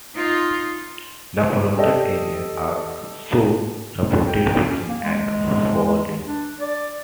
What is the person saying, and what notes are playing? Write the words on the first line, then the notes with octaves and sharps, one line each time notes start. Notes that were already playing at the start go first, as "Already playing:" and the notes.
The flooded areas also supported fishing and fowling.
D#4 F4
G4 A4 D5 D#5 A5
G5
C#4
A#3
G#3
D4
D5